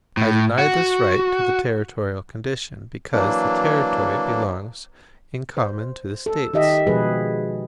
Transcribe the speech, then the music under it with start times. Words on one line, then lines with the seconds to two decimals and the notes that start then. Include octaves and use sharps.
I deny this right to the territorial condition, because the Territory belongs in common to the States.
0.17 A2
0.58 F#4
3.13 E3 F#3 A#3 D4
5.57 C5
6.26 A4
6.54 D#3 G4 D#5 E5
6.87 B2 F3 G#3 G#4 B4